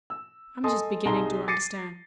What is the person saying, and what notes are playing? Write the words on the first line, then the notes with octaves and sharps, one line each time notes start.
I am just beginning to understand.
E6
A4 D#5 G#5 A5 C6 D#6
C2 D#4 G#4 A#5 C6 G7
D6 A6 A#6 C7 C#7 D#7